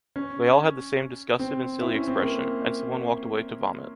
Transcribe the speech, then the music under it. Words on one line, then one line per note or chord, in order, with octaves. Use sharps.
They all had the same disgusted and silly expression, and someone walked away to vomit.
C#4
C4
E4
C#4
C4
A#3